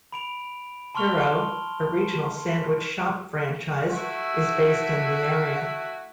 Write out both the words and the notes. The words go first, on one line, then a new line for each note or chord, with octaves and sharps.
Hero, a regional sandwich shop franchise, is based in the area.
B5 D7 F7
A5 C6 C#6 F6 F7 G7
A3 E4 F#4